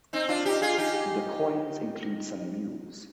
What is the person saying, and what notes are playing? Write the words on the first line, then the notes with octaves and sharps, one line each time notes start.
The coins include some mules.
C4 D#4
D4 F4
D#4 G4
F4 G#4
D#4 G4